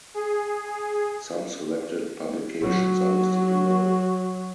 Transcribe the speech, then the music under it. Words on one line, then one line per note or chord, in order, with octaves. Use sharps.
Some selected publications are listed below.
G#4
F#3 F#4